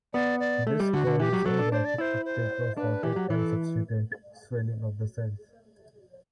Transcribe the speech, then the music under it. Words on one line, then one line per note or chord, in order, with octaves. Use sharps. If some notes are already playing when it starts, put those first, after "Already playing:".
This causes a rapid uptake of water and subsequent swelling of the cells.
B3 D5
D5
A3
G3
D3 F#4
D3
E3 G4
F#3
F#3 A4
D4
D4 C5
D5
E4 C5 D5
C5
D4 B4
E3 G4
F#3
E3 B4
A4